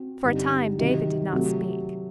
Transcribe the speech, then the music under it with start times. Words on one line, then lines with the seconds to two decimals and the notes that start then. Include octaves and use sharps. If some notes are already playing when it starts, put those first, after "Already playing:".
For a time David did not speak.
Already playing: C4 F#4
0.24 G2 D3 G3 C4 D#4
0.78 C3 D#3 F#3
1.32 C3 F#3 A3